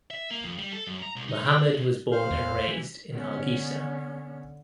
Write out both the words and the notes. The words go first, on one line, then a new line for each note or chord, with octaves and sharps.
Mohamed was born and raised in Hargeisa.
E5
A#3
F2
G3
A4
F#2
A#5
C2
D#4
G5
D4
B2
C5 F5 F6
E2
E3
D3 B3 C#4